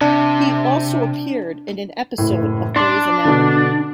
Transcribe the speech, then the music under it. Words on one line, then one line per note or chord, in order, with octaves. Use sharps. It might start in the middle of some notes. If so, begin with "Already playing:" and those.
He also appeared in an episode of "Grey's Anatomy".
C3 D4
F#1 A2
D4 C6 D6
B2 D3